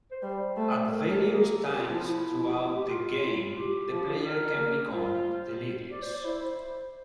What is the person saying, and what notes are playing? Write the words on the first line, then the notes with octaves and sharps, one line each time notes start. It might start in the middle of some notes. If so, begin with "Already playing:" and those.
At various times throughout the game the player can become delirious.
C5
G3 C5
A3
A#4
A#3
A4
G4
F4
F3 E4
F4
E4
E4
G4
F4
E4
F4
G4
F3
A#4
A#3
F4 C5
D5
C5
D5
E4 C5